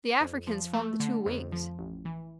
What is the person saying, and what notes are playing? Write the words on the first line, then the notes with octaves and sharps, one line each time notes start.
The Africans formed the two wings.
F2
F3
A3
D3
F2
F3
A1
E3